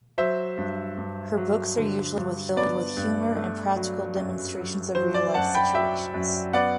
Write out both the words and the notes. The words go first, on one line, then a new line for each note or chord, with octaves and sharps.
Her books are usually filled with humour and practical demonstrations of real life situations.
F#3 C5 E5
G2
G2
F#3
D3
G2
B3 D5
G2
A3
F#3
F#2
F#3
F#3 C5
D5
F#2 F#5 A5
G5 B5
F#3 E5 G5
F#2
B3 D5 F#5